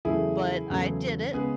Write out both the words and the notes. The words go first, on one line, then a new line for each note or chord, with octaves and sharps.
but I did it.
E2 C#3 F#3 A3 E4 G#4
E2 C#3 F#3 A3
C#3 G#3 B3 G#4 B4